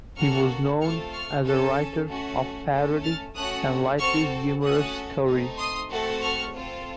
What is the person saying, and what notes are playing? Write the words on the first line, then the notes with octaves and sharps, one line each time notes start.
He was known as a writer of parody and lightly humorous stories.
A#3 C#4 F#4 A4 C#6 F6
A3 C4 F4 A4 C#6 F6
C#6 F6
C#4 A4
A3 C#4 F#4
A3 C#4 A4
F6 A6
A3 C#4 F#4 D#6 F#6
C4 F#4 A4 C#6 F6
A3 C#4 F#4 A4 D#6 F#6
A3 C4 D#4
C6 D#6
A3 C4 F#4 A4
C#6 F6
C4 F4 A4